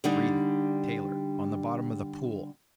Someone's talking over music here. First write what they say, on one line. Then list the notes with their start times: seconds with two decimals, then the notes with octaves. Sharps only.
Breathing, Taylor, on the bottom of the pool!
0.04 D3 G3 D4 D#4